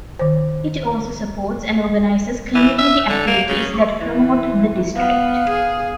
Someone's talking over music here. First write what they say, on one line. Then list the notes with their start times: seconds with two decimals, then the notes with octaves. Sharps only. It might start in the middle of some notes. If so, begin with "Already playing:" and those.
It also supports and organizes community activities that promote the District.
0.19 D#3 C5
2.54 E3
2.78 E5
3.09 D3
3.27 A#3
3.49 C#3
3.99 E3
4.95 B3 F5
5.49 G#4